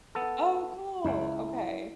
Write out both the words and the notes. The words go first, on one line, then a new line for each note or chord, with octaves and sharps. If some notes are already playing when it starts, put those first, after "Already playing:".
Oh, cool. Okay.
B3 A4
C#2 E4